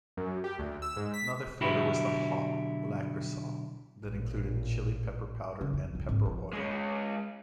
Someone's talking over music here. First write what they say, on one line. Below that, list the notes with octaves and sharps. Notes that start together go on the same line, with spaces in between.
Another flavour was the "hot" Lakrisal that included chili pepper powder and pepper oil.
F#2
G4
D2
E6
G#2
B6
B1 D3 E4 F#4 G4
A1 A#2
C#3
F2
C#2
G#1
F3
G#3 C#4